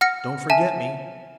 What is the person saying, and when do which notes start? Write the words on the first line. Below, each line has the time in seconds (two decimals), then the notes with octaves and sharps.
"Don't forget me."
0.01 F#5 F6 A#6 C#7
0.50 E5 G#5 A5